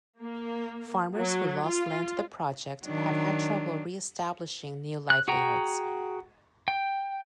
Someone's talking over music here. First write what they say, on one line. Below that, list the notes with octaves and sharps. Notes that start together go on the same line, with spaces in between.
Farmers who lost land to the project have had trouble re-establishing new livelihoods.
A#3
F#3
F4
D#3 F#3 D4
F#6
F#4 G#4 F#5 G5 A#5
G5